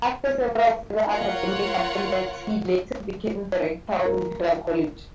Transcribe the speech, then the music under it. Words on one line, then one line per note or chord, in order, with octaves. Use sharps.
After several further academic appointments, he later became the Rector of Imperial College.
F4 A#4 C#5 F#5
A#4